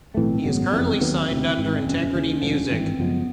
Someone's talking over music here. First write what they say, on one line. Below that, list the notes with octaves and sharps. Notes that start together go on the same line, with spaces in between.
He is currently signed under Integrity Music.
B1 A2 E3 A3 C4
G#1 F#2 C#3 F#3 B3
F#1 F2 C#3 E3 C4
D#2 D#3 F#3 B3
E1 D2 C3
G#1 G#2 E3
F#1 E2 B2 C#4
D#2 C#3 E3
E1 D2 D3 F3
G#1 G2 E3 C4
F#2 C#3 F3 G#3 B3